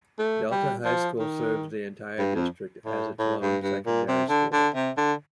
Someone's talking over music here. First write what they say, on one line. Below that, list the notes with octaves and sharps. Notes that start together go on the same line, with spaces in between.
Delta High School serves the entire district as its lone secondary school.
A3
G3
F3
D#3
G2
F2
A2
A2
G2
G2
A#2
C3
D3
D3
C3
D3